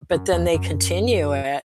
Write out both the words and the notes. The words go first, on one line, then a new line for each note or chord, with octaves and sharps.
but then they continue it,
F#2
E2
F#2